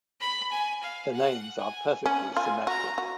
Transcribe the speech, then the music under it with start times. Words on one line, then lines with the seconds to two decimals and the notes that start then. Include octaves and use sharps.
The names are perfectly symmetric.
0.21 B5
0.52 G#5
0.83 F5
1.13 F#5
1.59 G#5
2.05 C#4 F#5
2.37 F4 G#5
2.67 F#4 A#5
2.98 F#4